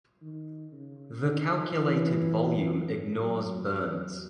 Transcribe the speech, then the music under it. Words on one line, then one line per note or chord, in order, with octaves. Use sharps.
The calculated volume ignores burns.
D#3
C#3
D#3
E3
F#3
F#3